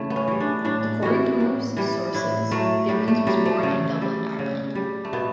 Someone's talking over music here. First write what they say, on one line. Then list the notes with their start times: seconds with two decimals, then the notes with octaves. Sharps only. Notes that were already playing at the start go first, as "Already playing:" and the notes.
According to most sources, Gibbons was born in Dublin, Ireland.
Already playing: C#3 E3 A3 E4
0.10 B3
0.16 C#4
0.28 E3 G3
0.40 D4
0.65 A2 D4
1.02 E3 G3 F#4
1.40 A2
1.77 E3 G3
2.14 A2 E4
2.51 F#3 A3
2.89 A2 G3
3.08 A3
3.27 F#3 G3
3.46 A3
3.63 C#3 A3
4.02 G3
4.39 C#3
4.75 G3
5.05 A3
5.13 B2 B3